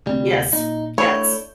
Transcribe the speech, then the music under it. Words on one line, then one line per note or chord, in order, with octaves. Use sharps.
Yes, yes.
D2 C3 G3
A#2 D#4
A3 D4 E4 C#5 G6